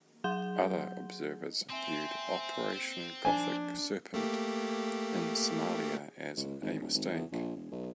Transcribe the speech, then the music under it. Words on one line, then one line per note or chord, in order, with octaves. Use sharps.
Other observers viewed Operation Gothic Serpent in Somalia as a mistake.
F#3 G#4 F#5 C6 G6 G7
C4 E5 G#5 C6
F3 D4 G#5
A3 A#3 G4
C#2
G#1
D#1
G#1
E2
A#1
E1
B1